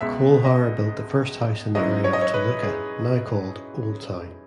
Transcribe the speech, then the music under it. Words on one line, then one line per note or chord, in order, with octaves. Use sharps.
Colehower built the first house in the area of Toluca now called Old Town.
C#2 B2 G#3 E5
D#5
G#2 F#3 C#4 E4 D#5
C#5
D#5
C#5
B4
G#4